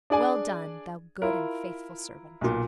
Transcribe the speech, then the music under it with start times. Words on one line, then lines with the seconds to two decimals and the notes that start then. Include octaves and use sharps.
Well done, thou good and faithful servant!
0.10 D4 G#4 D5 G#5
1.22 E4 F4 A#4
2.41 B1 A#2